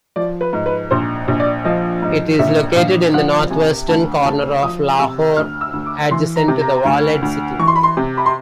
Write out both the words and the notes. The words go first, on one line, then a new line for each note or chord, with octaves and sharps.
It is located in the northwestern corner of Lahore, adjacent to the Walled City.
F3 D5
B4
G#2
B4
A#1 C5
A#1
D5
F3 D#5
G#2
A#1 E5
A#1 F5
F3 F#5
C3 G#5
D2 A5
D2 A5
F3 D#6
C3 E6
D2 F6
E6
D2
D6
E3 C6
A#5
C3
A#5
D2
D2
E3 C#6
C6
B5
C6
C3
B5
C6